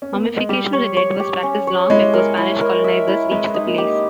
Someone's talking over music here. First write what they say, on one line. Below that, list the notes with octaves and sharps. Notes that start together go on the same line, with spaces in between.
Mummification of the dead was practiced long before Spanish colonizers reached the place.
C#4
B3
A#3
G#3
G3 G4
C#5
C#5
G4
C#4
C#5
G#3 E4
A#4
E4
A#4
E5
E4
G#3 B4
D#4
A#3
G4